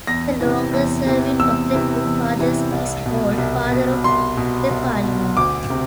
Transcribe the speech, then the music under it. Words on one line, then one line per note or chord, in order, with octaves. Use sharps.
The longer serving of the two Fathers is called "Father of the Parliament".
E2 A#6
C3 E3
E2
C3 E3
E2 E6
C3 E3
E2
C3 E3
C2
B2
C2
B2
C2 C6
B2
C2
B2
D2 D6
C3